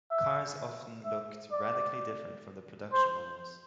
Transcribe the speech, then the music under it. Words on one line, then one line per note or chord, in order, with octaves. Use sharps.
Cars often looked radically different from the production models.
E5
E5
D5
C5